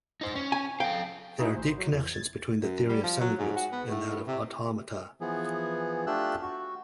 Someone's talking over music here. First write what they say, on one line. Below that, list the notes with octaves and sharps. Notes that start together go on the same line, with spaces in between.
There are deep connections between the theory of semigroups and that of automata.
D#4 C5
C#4
G#5
A4 F5 G5
A#2 D#4 E4 F#4 G#4
G#1 C5
F#3
E2
G#6 A6
F#2
G3
F3
F#3
G#2
F#4
B3
A2
C3
E3 F3 B3 G#4
A3 D4 F4 G4 E6 F#6
F#4